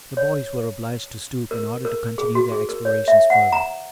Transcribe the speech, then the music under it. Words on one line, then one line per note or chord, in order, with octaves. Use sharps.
The boys were obliged to stoop in order to continue their explorations further.
C#5
A#4
A#4
G#4
F#4
G#4
A#4
C#5
E5
F#5
A#5